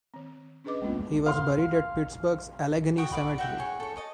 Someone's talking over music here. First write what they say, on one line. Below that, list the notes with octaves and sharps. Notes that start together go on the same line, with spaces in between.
He was buried at Pittsburgh's Allegheny Cemetery.
D#3 C4
C#4 D4 G#4 B4 D#5 D6
G#3 A#3 B3 C#4 F4
F5 C6
F#4 G5 C#6 D#6
D5 F5 B5
F#4 E5 F#5 G5
G#4 C#5
A4 C#5
C#5 D#5 A5